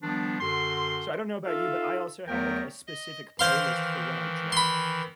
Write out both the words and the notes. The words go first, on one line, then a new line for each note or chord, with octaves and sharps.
So, I don't know about you, but I also have, like, a specific playlist for when I drive.
D#3 F3 G3 B3 D4
F#2 D3 F#4 C6
D#4 F4 A4 E5 F5
E2 F#3 A3 B3 A#4 G5
D#5
D#3 E3 C5 F5 C6
B5 C6